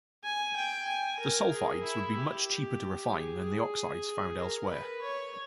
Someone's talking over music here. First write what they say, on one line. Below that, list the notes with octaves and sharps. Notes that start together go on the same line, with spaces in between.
The sulphides would be much cheaper to refine than the oxides found elsewhere.
G#5
G5
G#5
A#4
G#4
E4
G4
G#4
G#4
A#4
B4
C#5